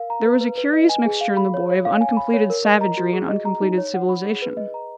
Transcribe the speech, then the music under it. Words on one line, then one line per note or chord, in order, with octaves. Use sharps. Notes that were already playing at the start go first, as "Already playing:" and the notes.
There was a curious mixture in the boy, of uncompleted savagery, and uncompleted civilization.
Already playing: A#4 F5
A#5
B4
B4
B4
D#5
G#5
G#4
F5
B5
C#5
C#5
F5
G#5
B5
C#5
A#4
D#5
A#5
F#4
G#4
D#5
A#5
D#4
C#5
F#5
B5
G#4
B4
D#5
A#5